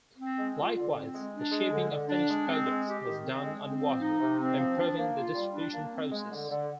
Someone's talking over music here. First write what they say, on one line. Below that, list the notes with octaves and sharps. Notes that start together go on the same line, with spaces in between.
Likewise, the shipping of finished products was done on water, improving the distribution process.
C4
G#3
F4
D3
C4
G#3
D4
G#3
D3
D3
D4
G#3
C4
G#3
G4
D#3
C4
G#3
C4
F3
D#4
C3
C4
F3
D4
A#3
F4
G3
D4
A#3
C4
G#3
D3
D3